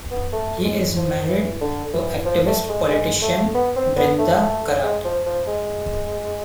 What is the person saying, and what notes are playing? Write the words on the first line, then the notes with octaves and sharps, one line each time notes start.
He is married to activist-politician Brinda Karat.
B3
A3
G#3
F3
E3
D3
E3
F3
A3
G#3
G#3
A3
B3
C4
B3
A3
G#3
F3
F3
G#3